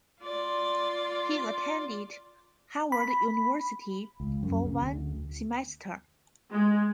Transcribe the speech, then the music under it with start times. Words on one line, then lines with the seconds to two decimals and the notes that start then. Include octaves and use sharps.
He attended Harvard University for one semester.
0.22 F4 D5
2.92 B5
4.20 C#2
4.43 F#2
4.66 C#3
4.82 D2
6.50 G#3